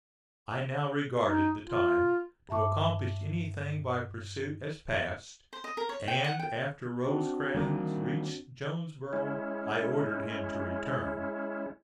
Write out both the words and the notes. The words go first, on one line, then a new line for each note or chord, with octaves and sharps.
I now regarded the time to accomplish anything by pursuit as past and, after Rosecrans reached Jonesboro, I ordered him to return.
D#4
F4
G2 E5 A5 C#6 D6
C5
D#5
A#4
C#5
G5
F#5
G5
C4 D4 F#4
D#3 G3 A#3
G#3 C#4 E4